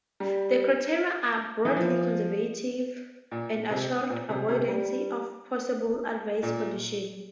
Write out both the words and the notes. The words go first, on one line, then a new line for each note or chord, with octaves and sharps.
The criteria are broadly conservative and assure avoidance of possibly adverse conditions.
G3
E3
F3
A#2
C3
A#2
C3
C3
G3
A#2